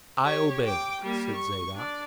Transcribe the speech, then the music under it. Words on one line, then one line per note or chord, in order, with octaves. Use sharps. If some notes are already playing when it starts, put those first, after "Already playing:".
"I obey," said Zadok.
G4 C#5
G5 D6
G3 A#3
C#6
D4 D5